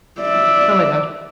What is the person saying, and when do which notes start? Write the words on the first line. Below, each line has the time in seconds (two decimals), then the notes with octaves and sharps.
Oh my gosh.
0.21 D5 E5